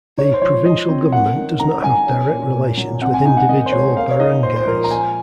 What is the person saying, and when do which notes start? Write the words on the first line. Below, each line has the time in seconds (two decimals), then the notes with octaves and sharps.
The provincial government does not have direct relations with individual barangays.
0.17 D#4 C#5
0.34 C5
0.42 F3 C#5
0.65 F3 D#5
0.89 C4
1.12 A#3 F#5
1.36 D#3
1.59 D#3 A#5
1.84 F#3 G#5
2.07 C#4
2.31 A#2
2.55 A#2
2.77 F#3
3.01 C4 F#5
3.14 G#5
3.26 D#4 G#5
3.37 F#5
3.49 D#3 D#5
3.66 C5
3.72 G#3 C#5
3.96 A#3 F5
4.11 C#5
4.20 D#4 D#5
4.43 A#2 C5
4.56 C5
4.67 F3 A#4
4.84 A#5
4.91 A#3 G#5